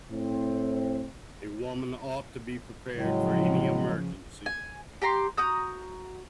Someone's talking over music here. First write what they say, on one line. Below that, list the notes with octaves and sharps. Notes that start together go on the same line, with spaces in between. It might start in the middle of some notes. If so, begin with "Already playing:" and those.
A woman ought to be prepared for any emergency.
A2 C4
A2 C#3 F3 F#3 G#3
G#5
G4 G5 A#5 C6
F#4 A#5 D#6 G6